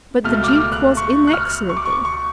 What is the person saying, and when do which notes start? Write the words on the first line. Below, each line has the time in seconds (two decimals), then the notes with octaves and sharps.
But the Duke was inexorable.
0.24 C#2 B2 A3 F6
0.44 D6
0.48 F6
0.72 F#6
0.97 C#6
1.27 F#6
1.33 F6
1.69 C#6
1.77 D6
1.85 C#6
2.05 C#6